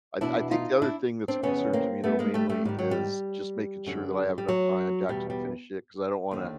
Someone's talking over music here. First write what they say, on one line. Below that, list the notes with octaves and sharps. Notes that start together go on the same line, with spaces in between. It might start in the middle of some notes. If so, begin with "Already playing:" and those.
I I think the other thing that's a concern to me though, mainly is just making sure that I have enough time to actually finish it, 'cause I don't wanna
E2 B2 D4 E4
D#4 F4
D4 E4
C4 D4
F2 C#3 E3 B3 C#4
A#3 C4
A3 B3
G#3 A#3
G3 A3
G3 A3
G#2 D#3 G3
F#3
G3
F#2 D3
G3
F#3
E2 B2 G3
G3
D#2 D3